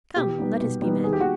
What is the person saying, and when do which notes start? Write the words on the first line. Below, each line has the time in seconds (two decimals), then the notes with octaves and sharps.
Come, let us be men.
0.16 B2 G4
0.38 G3 B3 D#4
0.60 B2
0.82 G3 B3 D#4
1.04 D#3 G#4
1.13 G4
1.20 F#4